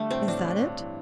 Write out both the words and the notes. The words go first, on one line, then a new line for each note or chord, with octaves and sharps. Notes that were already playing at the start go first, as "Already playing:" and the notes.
Is that it?
Already playing: D3 G3 A3
A2 C4
A2 D4
A2
G2
E3